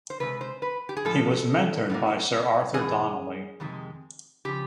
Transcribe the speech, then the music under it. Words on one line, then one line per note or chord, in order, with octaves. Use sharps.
He was mentored by Sir Arthur Donnelly.
C5
C3 F3 G#3 B4
C5
B4
G4
G#4
A2 F3 G#3 A4
A2 F#3 A#3
E2 B2 G#3 G#4
F2 C3 D#3 G#3
C#3 F3 G4